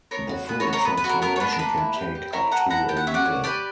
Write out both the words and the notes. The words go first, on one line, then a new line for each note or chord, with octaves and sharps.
The full transformation can take up to a year.
B3 A#4 C#5
F#4
B3 B4
A#4 C#5
F#4
A#4 C#5
B3 B4
B4
F#4
A#4
B3 A#4
C#5
D4 B4
A#4
A#3 B4
E4
G4
G4
E4 A#4 C#5
B3 F#5 A#5
E4 F#5 A#5
G4 G5
F#5
C#4 E5
D5 F#5
C#4
G4 B4 D5